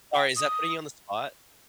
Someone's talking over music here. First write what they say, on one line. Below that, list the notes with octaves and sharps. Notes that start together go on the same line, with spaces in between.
Sorry, is that putting you on the spot?
G5
D#6